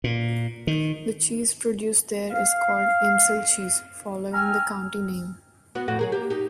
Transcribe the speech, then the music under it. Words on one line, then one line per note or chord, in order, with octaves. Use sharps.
The cheese produced there is called Imsil cheese, following the county name.
A#2
D#3
F5
G5 G#5 A#5 E6 F6
B3 F#4
F2 A2 F#4
F#3 G#4 A#4
A#3 G4
D#4 G4